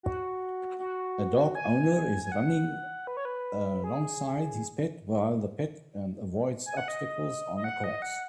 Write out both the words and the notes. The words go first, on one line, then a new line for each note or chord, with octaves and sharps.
A dog owner is running along side his pet while the pet avoids obstacles on a course.
F#4
F#4
G#5
G#5
F#5
B4
C#5
B4
G#4
G#5
F#5
D#5
D#5
F#5
D#5
F#5